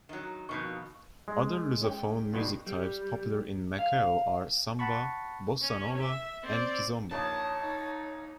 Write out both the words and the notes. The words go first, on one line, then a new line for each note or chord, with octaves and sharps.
Other Lusophone music types popular in Macao are "samba", "bossa nova", and "kizomba".
D#3 F#3
F2 B2 D#3 C#6
G#3
C#4 G5
G2 B2 D#3
G3
F5
F#5 A5 B5 C#6
C#4
E5
C4 D5
A#1 D#2 C#5 A5 D#6
D#4